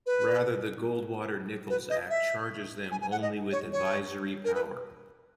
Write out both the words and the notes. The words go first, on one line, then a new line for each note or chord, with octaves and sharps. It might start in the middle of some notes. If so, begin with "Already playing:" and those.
Rather, the Goldwater-Nichols Act charges them only with advisory power.
B4
B4
D#5
E5
G#5
G#5
F#5
D#5
C#5
C#5
A#4
B4